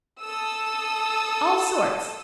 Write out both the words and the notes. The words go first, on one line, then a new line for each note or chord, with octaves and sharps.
All sorts.
A4 D#6 E6